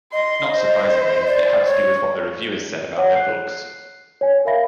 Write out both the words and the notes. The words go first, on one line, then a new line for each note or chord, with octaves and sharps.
Not surprisingly, it had to do with what the reviewers said about their books.
D#5 C6
C5
D5
C#5
C#5 F#5
F#6 C7
C#5 G#5
A#4 E5 F5 B5 A#6